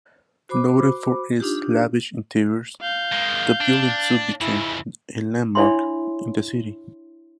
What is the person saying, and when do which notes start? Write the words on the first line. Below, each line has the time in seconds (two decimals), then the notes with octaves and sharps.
Noted for its lavish interiors, the building soon became a landmark in the city.
0.49 F#4 C5 B5 D6
1.40 D4 D#4 F4 G4
2.81 F5 G6
3.12 G#3 A#3
3.61 D4
4.41 F2 C#3 E4
5.55 D4 E4 C#5 E5 B5 C6